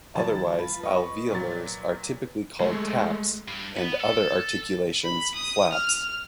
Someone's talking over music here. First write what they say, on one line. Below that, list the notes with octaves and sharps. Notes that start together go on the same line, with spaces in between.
Otherwise alveolars are typically called "taps", and other articulations "flaps".
D#3 F#3 E4 A5 A6
F4 B4
B4 D#5 C#6
A#2 F#3 A6
G#3 A3
G2
B3
A4
B5
D#6
F6